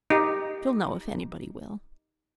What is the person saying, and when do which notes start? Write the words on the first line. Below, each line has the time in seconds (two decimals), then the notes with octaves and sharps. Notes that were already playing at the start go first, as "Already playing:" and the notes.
She'll know if anybody will.
0.10 D#4 G4